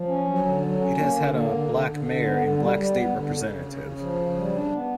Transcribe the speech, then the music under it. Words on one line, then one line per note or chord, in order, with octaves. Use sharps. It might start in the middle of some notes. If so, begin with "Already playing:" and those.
It has had a black mayor and black state representative.
Already playing: F3
C#4
F#3
D3
F#3
C#4
A#3
D3
A#3
D3
D3
D3
D3
B3
D3
G3
G3
B3
D3
C#3
C#3
C#3
C#3
F3
C#3
G3
D4
B3